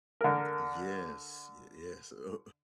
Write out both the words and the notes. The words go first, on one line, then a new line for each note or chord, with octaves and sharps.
Yes, y yes, a a uh,
D3 A#4